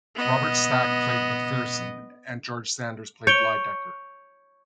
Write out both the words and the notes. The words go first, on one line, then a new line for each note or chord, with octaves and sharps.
Robert Stack played McPherson and George Sanders played Lydecker.
B3 D#5
C#5 G6 D7 G7